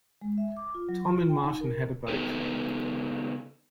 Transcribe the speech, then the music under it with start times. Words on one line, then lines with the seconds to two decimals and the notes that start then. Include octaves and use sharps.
Tom and Martin had a boat.
0.21 G#3
0.38 E5
0.57 D6
0.74 F4
0.89 F#3
1.07 F4
1.29 G5
1.43 D#4
1.61 A#4
2.08 C#3 B3 D#4 G4 A4 B4